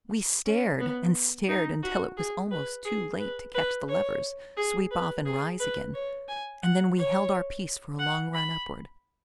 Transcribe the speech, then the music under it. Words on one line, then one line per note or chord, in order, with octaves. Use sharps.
We stared and stared until it was almost too late to catch the levers, sweep off and rise again; and then we held our peace for a long run upward.
C#4
B3
D#4
F#4
G#4
B4
G#4
B4
B4
C#5
G#4
B4
G#4
B4
C#5
G#5
F#5
C#5
F#5
B5